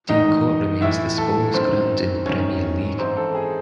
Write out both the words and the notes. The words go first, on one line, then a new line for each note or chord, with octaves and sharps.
Dean Court remains the smallest ground in the Premier League.
E2 D#3 D#4 D#5
A2 E3 E4 E5
A4
F#2 D#3 C4 C5
F#2 D#3 C#4 C#5
G#2 E3 C4 C5
A4
G#4